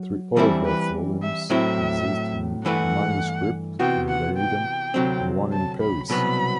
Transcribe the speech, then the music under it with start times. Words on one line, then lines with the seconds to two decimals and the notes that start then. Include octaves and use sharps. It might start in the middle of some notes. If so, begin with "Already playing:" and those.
Three autograph volumes exist in manuscript in Leiden and one in Paris.
Already playing: F#3
0.35 E3 G3 C4 E4 A4
0.65 B4
1.22 E5
1.50 A2 F#3 C4 E4 E5
2.65 G2 E3 A3 E4 B4 F#5
3.79 C3 E3 B3 F#4 G5
4.09 F#5
4.37 G5
4.94 D2 C3 F#3 C4
5.52 A5
5.81 B5
6.09 C2 B2 F#3 B3 B5